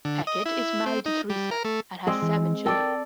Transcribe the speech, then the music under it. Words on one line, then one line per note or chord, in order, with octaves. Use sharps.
Peckett is married to Teresa and has seven children.
D3
D#5
E4
C4
D#4
G3
A#4
A3
G#3 C4 G#4 D5 D#5
E3
A4 A#4 D5 G5